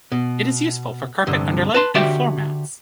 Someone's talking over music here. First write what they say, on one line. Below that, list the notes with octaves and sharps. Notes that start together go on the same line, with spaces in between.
It is useful for carpet underlay and floor mats.
B2
C2 G2 D3
B4 A5 C6
D3 F#4 G4 E5 G5